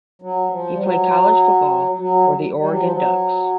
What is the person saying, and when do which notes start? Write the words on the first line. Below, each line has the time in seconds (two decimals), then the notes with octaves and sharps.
He played college football for the Oregon Ducks.
0.22 F#3
0.51 F3
0.75 G3
0.81 F#3
1.99 F#3
2.59 G3
2.70 F#3
2.81 F3
2.92 F#3